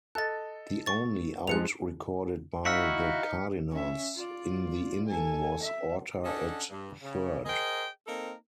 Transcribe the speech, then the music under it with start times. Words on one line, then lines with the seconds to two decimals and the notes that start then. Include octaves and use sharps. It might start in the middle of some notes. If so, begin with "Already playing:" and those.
The only out recorded by the Cardinals in the inning was Orta at third.
0.15 A4 D#5 F#6 A6
0.86 C#6 A6
1.47 F2 F3 G#3 F#6 C#7 F7
2.65 D#4 E4 F#4 E5 F5 F6 B6 C#7
3.71 C#4 E5
4.15 F4 D5
5.06 A4 G#5
5.62 E5
6.24 C#4 D4 A4 D#5 F#5
6.69 G2
7.02 C#3
7.45 G#4 A#4 C5 D#5 G5
8.07 A#3 C4 D#4 A4 A#4